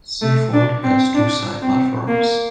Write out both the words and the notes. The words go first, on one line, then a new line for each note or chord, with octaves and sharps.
Seaford has two side platforms.
A3
D4
C4
D4
C4
A#3